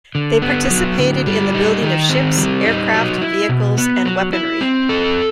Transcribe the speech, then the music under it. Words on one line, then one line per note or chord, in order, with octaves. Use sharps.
They participated in the building of ships, aircraft, vehicles, and weaponry.
D3
B3
F#3
D3
G3
D#4
D#3
C4
G3
D#4
F#3
E4
B2
B3
F#3
E4
C4
A4